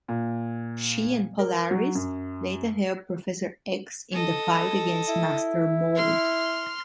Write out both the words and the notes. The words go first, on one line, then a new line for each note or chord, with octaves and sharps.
She and Polaris later help Professor X in the fight against Master Mold.
A#2
A#4
F#3
F#2
A4 D#5
E4
C6 F6